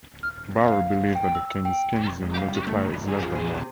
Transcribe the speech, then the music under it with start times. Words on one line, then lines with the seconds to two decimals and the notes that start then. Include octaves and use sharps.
Barro believes that the Keynesian multiplier is less than one.
0.23 F6
0.66 F5
1.15 G5
1.35 E6
1.65 G5
2.22 G#3
2.35 F5
2.49 G3
2.67 A3
2.79 B1
2.93 C2
3.08 G#4
3.22 F3
3.35 G#4
3.54 C3